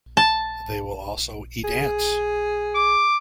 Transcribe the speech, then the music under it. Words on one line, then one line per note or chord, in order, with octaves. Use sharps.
They will also eat ants.
A5
G#4
D6